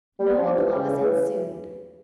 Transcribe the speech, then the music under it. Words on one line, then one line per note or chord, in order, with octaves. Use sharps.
No applause ensued.
G3
F3
E3
C#3
C#3
E3